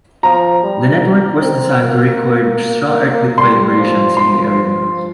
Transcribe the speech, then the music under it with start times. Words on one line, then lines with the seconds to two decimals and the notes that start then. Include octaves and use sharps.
The network was designed to record strong earthquake vibrations in the area.
0.23 F3 A#5
0.63 G3
1.41 C4
1.81 A#3
3.38 G3 C6
3.78 F3
4.17 F3 C6